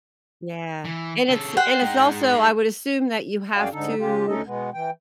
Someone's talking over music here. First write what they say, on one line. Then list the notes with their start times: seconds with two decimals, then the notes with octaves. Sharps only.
Yeah. And, it's and, it's also, I would assume, that you have to,
0.85 E3
1.30 C#3 A4
1.57 C5 F#5 G5
1.81 G#3 D#4
3.56 F#2 F#4 G#4 D5 F5 G5
3.72 G#2 D3 D#4 A4
3.98 C#3 G#3 F4 G4
4.27 D2 A3 C#4 D#4 A4 D#5
4.45 B2 G#3 B3
4.74 E3 G5